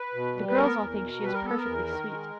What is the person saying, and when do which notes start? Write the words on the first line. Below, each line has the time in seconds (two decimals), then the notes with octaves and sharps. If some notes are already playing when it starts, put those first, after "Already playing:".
The girls all think she is perfectly sweet.
Already playing: B4
0.14 B2
0.36 G3
0.49 B4
0.57 B3 A#4
0.80 E2
1.01 B2
1.22 G3 B4
1.34 A#4
1.44 B3 A4
1.58 A#4
1.65 E2
1.88 D#3
2.10 G#3